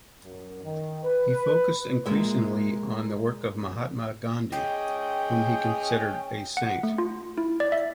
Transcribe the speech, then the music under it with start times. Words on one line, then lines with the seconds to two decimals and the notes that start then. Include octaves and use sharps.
He focused increasingly on the work of Mahatma Gandhi, whom he considered a saint.
0.23 F#2
0.63 D#3
1.02 B4
2.06 A#2 G#3 E5
4.52 C#4 G#4 D#5 G5
6.57 F#5
6.83 A3
6.98 F4
7.38 E4
7.60 D5
7.72 E5